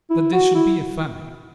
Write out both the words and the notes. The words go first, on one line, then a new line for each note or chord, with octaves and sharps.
"That there should be a famine!"
E4
F#4
E4